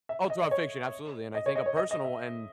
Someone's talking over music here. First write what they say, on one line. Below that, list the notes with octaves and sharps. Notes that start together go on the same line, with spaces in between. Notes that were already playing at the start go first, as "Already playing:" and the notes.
All throughout fiction, absolutely. And I think a personal one
E5
D#5
D#5
C#5
D#5
C#5
D#5
C#5
D#5
D#5
E5